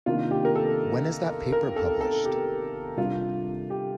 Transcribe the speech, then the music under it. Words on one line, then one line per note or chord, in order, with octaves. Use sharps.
When is that paper published?
C3 D#3 A#3 D4 F4
G4
A#4
A4
A#4
A4
A4
G4
C3 G3 D4 F4
G4